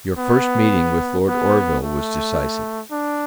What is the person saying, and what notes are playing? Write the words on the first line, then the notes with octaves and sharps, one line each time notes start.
Your first meeting with Lord Orville was decisive.
B3
B3
A3
D4